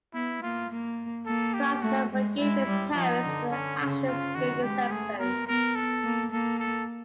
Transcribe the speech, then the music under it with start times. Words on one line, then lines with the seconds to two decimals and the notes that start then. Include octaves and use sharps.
Price never forgave his parents for their actions during this episode.
0.14 B3 E4
0.42 A#3 F4
0.70 A#3
1.26 A#3 A4
1.54 G4
1.82 A3 F#4
2.10 G#3
2.38 G#3 E4
2.67 G3
2.94 F3 D#4
3.23 D3
3.51 C#4
3.79 C#3
4.07 F4
4.35 D#3 F#4
4.63 G#3 G4
4.92 A3 G#4
5.19 B3 A#4
5.47 B3 A#4
5.75 A4
6.03 A#3
6.32 A#3 A4
6.59 A4